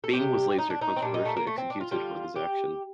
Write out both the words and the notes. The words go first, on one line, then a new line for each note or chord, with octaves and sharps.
Byng was later controversially executed for this action.
A4
C3 G3 G4
D#4
D4
D#4
C4
A#2 G3 D4
D#4
A3
A#3
A3
C4
D4
F4
D3 G3 F4
G4